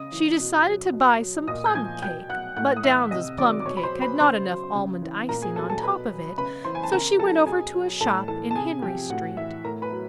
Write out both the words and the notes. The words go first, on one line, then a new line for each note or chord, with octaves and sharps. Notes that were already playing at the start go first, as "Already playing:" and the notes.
She decided to buy some plumcake but Downes's plumcake had not enough almond icing on top of it so she went over to a shop in Henry Street.
Already playing: C#3 D#5 D#6
E3
B2
F#3
B2
F#3
A#2 D#5 D#6
G6
F3 G#5 G#6
B2 G5 G6
F#3 F#5 F#6
A2 F#5 F#6
D#6
E3 E5 E6
C3 D#5 D#6
D#3 F#3 D5 D6
D6
B2 C#5 C#6
B5
C5 C6
F#3
B4 B5
C#3 C5 C6
F#3
C#3
E3
A#2 A#4 A#5
G#4 G#5
F#3 A4 A5
A4 A5
A#5
B2 B4 B5
F#3
C#3 B4 B5
E3 C5 C6
G#5
A5
C#3 A#4 A#5
F#3 A4 A5
B2 G#4 G#5
F#3
A2 A4 A5
E3 A4 A5
A5
C3 G#4 G#5
F3 G4 G5
A2 F#4 F#5
E3 E5
A2 A#4 A#5
B4 B5
F#3